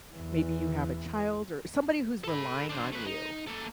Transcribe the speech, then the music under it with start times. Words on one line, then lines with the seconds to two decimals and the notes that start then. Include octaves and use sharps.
maybe you have a child er somebody who's relying on you,
0.14 E2 E3
2.24 A4 B5
2.69 D4 C5
2.92 A3 B4
3.06 D#4
3.47 A#3 A4